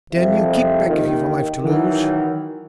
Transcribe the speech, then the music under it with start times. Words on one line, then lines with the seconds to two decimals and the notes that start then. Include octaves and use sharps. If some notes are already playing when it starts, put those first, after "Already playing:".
Damn you, keep back, if you've a life to lose!'
0.13 C2 F2 F3 C4 E5
0.88 D#2 D#3
1.64 D#3 E3 F#3